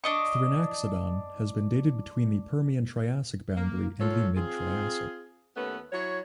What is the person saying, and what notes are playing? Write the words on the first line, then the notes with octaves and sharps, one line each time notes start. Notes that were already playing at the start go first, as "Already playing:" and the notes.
"Thrinaxodon" has been dated between the Permian-Triassic boundary and the mid-Triassic.
D4 D#5 C#6
A#3
A#2 F4 A4 C#5
C4 F4 G#4
D#2 A3 B3 C#4 B4
F#3 E4 C#5